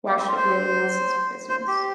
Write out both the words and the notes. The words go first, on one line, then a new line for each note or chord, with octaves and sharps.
why should it be anyone else's business?
A#3
C4
F4
C5
C5
G4